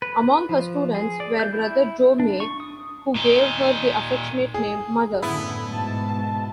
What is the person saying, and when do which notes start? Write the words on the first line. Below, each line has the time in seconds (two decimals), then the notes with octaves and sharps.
Among her students were Brother Joe May, who gave her the affectionate name "Mother".
0.02 B4
0.49 F3
0.95 G#4
1.20 D5
1.39 G6
1.53 E4
2.20 D4
2.40 C#6
2.60 D#6
3.15 A#2 D#4
4.54 G#4
5.22 F#2 A2 D3 B3 E4
5.69 G#2 B2 A5